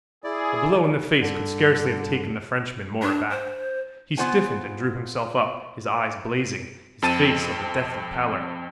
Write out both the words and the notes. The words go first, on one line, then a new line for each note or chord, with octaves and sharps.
A blow in the face could scarcely have taken the Frenchman more aback. He stiffened, and drew himself up, his eyes blazing, his face of a deathly pallor.
E4 G#4 D5
G2 D3
D4
C5
B3 F4 C5 F#5 G#5
F2 C4 A5 A6 D#7